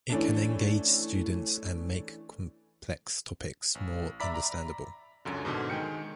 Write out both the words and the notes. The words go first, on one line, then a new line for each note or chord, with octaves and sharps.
It can engage students and make complex topics more understandable.
E3 A3 C#4 D4
A1
D5 E5 A#5 B5 D6 B6
A#5 B5
C#2 F#2 D3
G#2 B2 D3
D#3 G#3 G#4 G5 G6 C#7